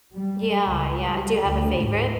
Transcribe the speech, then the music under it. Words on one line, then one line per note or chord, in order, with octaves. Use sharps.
Yeah, yeah, do you have a favorite?
G3
C#2
G3
D2
G#2